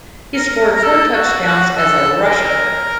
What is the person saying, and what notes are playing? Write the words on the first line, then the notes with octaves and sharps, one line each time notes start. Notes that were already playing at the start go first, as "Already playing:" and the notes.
He scored four touchdowns as a rusher.
A#4
A#4
A4
F#4
F#4
A4
A#4